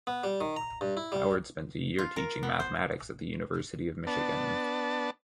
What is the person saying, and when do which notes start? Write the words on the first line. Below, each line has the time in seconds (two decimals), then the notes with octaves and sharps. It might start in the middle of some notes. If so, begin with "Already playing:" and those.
Howard spent a year teaching mathematics at the University of Michigan.
0.07 B3
0.24 G3
0.41 D#3
0.56 A#5
0.81 G2
0.97 E4
1.12 G3
1.99 F4
2.16 A#4
2.43 B3
2.60 C5
4.07 B3 D4 A5